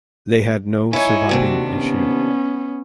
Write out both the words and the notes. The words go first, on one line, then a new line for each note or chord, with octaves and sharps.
They had no surviving issue.
D#4 E4 C#5 G#5
D#2 C3 D4 F#4
B3 C#4